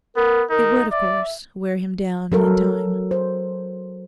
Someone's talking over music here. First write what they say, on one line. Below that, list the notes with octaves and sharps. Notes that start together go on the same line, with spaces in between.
It would, of course, wear him down in time.
B3 A#4
D#4 A#4
D5 E5
F#3 A4 A#4
C5